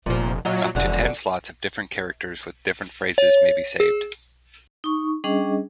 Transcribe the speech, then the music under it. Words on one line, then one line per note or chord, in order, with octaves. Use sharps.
Up to ten slots of different characters with different phrases may be saved.
F1 A#2 F3
A#2 F#3 F4 D#5
F1 F#2 D3
C#5
G#4
D#4 C#6
G3 C#4 D4 G#4 D#5